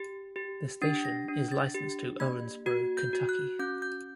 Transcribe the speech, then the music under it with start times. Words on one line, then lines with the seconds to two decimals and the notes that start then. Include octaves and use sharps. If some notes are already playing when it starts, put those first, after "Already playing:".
The station is licensed to Owensboro, Kentucky.
Already playing: G4
0.36 G4
0.82 D4 A6
1.05 A#6
1.28 D4
1.52 A6
1.74 G4
2.20 A#3 G#6
2.66 F#4 G#6
2.98 G6
3.13 F#4
3.29 F#6
3.59 C#4 G6
3.82 G6